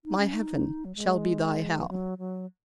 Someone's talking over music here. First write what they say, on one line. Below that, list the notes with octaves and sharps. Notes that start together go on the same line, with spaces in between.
My heaven shall be thy hell.'
D#4
C#4
D#4
F#3
G#3
E3
F#3
F#3